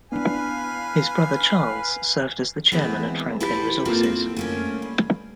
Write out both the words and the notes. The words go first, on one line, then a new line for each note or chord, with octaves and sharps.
His brother, Charles, served as the Chairman at Franklin Resources.
B3 D4 E4 B4 F5 G#5
E3 G#3 B3 C4
E4 G4 A4 B4 C5 E5
A#3 C4 F4 A4 A#4 C5
C4
A3 A#3 C#4
G2